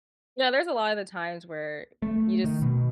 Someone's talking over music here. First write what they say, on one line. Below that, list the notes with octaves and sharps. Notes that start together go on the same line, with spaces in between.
Yeah, there's a lotta of the times where you just
A3
D#3
B2